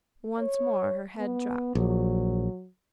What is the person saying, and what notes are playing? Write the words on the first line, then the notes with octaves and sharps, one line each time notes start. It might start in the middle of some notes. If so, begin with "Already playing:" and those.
Once more her head dropped.
C#5
B3
A#1 F#3